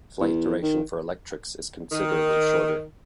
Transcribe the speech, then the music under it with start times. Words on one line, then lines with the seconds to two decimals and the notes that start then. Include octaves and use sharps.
Flight duration for electrics is considerably shorter.
0.20 E2
0.62 D#3
1.92 D#3